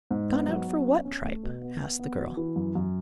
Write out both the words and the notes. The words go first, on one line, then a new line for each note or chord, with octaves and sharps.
"Gone out for what tripe?" asked the girl.
G#2
B3
F#3
B3
C#4
C#4
A3
B2
B3
B3
B3
F#4
E3
F#2
F#2